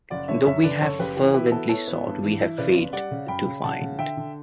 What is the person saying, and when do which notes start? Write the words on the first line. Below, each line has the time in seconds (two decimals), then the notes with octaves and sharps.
Though we have fervently sought we have failed to find.
0.10 F#1 D5 F#5
0.28 D3 C#5 E5
0.46 F#2 C#5 E5
0.64 D3 B4 D5
0.81 F#1 A4 C#5
0.99 F#1 G4 B4
1.17 E3 G4
1.34 E4 G4 B4
1.52 B3 F#4 A4
1.69 E4 A4 C#5
1.88 B3
2.05 G2
2.22 E3
2.40 E4
2.58 C#3 B4 D5
2.76 F#1
2.93 G3 D5 F#5
3.11 C#3
3.28 F#2 G5 B5
3.46 C#3
3.64 C#3 F#5 A5
3.81 C#3
3.98 D3 E5 G5
4.17 D3